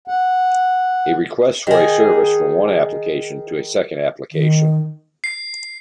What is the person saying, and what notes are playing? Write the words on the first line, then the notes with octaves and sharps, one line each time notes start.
A request for a service from one application to a second application.
F#5
D#3 G#4
D#3
C7